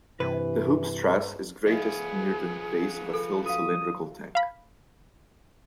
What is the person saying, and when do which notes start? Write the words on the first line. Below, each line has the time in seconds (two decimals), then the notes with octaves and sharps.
The hoop stress is greatest near the base of a filled cylindrical tank.
0.20 G2 C3 E3 B4
1.67 F3 B3 G#4 D#5 E5
3.13 A4
3.46 F#4 F5 D#6
4.35 F5 B5